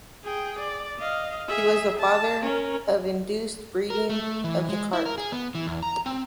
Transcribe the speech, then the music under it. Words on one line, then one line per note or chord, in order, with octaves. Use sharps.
He was the "father of induced breeding" of the carp.
G#4 G5
D5
D#5 F5
G#4 E5
A5
C#4 A#4
A#4
A3
E3
G#3
E4
A#4
G#4
B3
E3
E2
A#5
C4